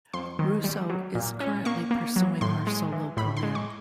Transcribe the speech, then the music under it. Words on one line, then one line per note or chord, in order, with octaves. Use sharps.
Russo is currently pursuing her solo career.
F2 C6
D#3
G3
F#3
A#2
C#4
A#3 C#6
A#3
F#3
A2 C6
G#3
E3
A2 B5
C6
G#3
C#6